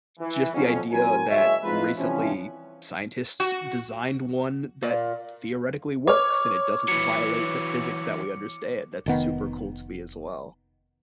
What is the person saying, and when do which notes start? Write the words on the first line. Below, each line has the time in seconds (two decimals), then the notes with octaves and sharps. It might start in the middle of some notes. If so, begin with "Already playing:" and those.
just the idea that recently scientists designed one that theoretically works, and it doesn't violate the physics that we understand, that's super cool to me, as well.
0.20 E3
0.54 F2 F#3 C#4
0.91 E3 F#3 C4 A#4 G#5
1.29 F#1 G#3 C#5 E5
1.63 F3 G#3 C4 D#4 F4 B4
1.98 C3 E3 F3 G3 C#4
3.40 F#4
4.83 A#2
6.07 C#5 D6 F6
6.88 E3 F#3 C#7
9.06 F1 D#3 B3